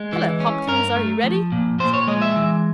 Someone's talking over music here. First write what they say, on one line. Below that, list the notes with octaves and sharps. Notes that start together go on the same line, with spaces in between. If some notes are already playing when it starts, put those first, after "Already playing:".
"Hullo, Hopkins, are you ready," said Irene.
Already playing: G#3
E3
C#4
G2 A#4
A3
F3
A#2
A#2 C5
C#5
G#3 D#5
E5
E3